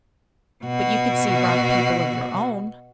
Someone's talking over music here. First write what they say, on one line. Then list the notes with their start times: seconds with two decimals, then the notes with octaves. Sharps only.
But you could see rock people of your own.
0.63 B2 F#4